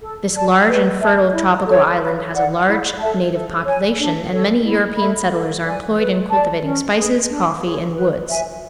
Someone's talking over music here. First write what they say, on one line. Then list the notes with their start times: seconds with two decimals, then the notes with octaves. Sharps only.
This large and fertile tropical island has a large native population, and many European settlers are employed in cultivating spices, coffee and woods.
0.01 A4
0.35 D5 A5
0.68 B4
1.00 E5 A5
1.33 E4
1.67 A4 C#5
2.00 B4
2.33 D5 F#5
2.66 E4
2.99 A4 E5 A5
3.32 A4
3.65 C#5 G#5
3.98 D4
4.31 A4 C#5
4.64 E4
4.97 A4 E5 B5
5.30 A4
5.64 D5 G#5
5.97 B4
6.30 D5 A5
6.63 C#4
6.96 G#4 B4
7.29 D4
7.62 G#4 C#5
7.96 B4
8.29 E5 G#5